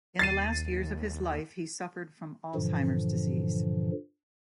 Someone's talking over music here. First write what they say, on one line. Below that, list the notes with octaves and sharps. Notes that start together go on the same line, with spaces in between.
In the last years of his life he suffered from Alzheimer's disease.
D#2 A6 C7 D#7
G2 A#2 D3 E3 F3